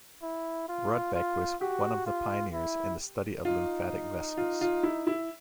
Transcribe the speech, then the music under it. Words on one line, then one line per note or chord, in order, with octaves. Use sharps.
Rudbeck was one of the pioneers in the study of lymphatic vessels.
E4
F4
F4
F#4 G4
F4
E4
D#4 F4
F4
F4
E4
E4